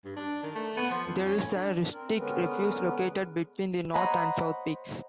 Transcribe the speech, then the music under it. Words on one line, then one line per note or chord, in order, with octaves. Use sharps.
There is a rustic refuge located between the north and south peaks.
G2
D4
D#3
A3
B3
F3
F2
C#4
A2
D4
C4 A#4
D3 G#3 B3 C#4 A#4 B4
C5 C#5 D#5 F#5 A#5 B5